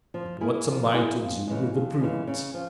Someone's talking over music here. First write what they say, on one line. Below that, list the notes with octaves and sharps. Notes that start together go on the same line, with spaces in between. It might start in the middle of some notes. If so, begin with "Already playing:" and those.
"But what am I to do with the brute?"
F3
A#3 E4 G#4
F3
A#3 E4 G#4
F2
C#3 E3 G#3
F2
C#3 E3 G#3
C#3
F3